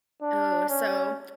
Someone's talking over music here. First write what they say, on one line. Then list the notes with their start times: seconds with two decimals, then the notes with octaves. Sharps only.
Ooh, so,
0.22 D4
0.69 C#4